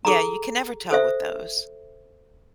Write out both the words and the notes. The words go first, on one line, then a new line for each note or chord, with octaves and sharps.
yeah, you can never tell with those,
G#4 A4 A#5
A4 C5 E5